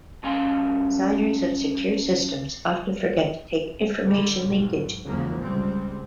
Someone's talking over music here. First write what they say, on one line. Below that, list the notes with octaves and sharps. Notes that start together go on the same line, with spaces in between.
Designers of secure systems often forget to take information leakage into account.
G2 C#4 F5 G#5 C6
D3 G3
B1 G#2
E2 C#3 F3 F#3 G#3 A#3
C#2 G3 G#3 C4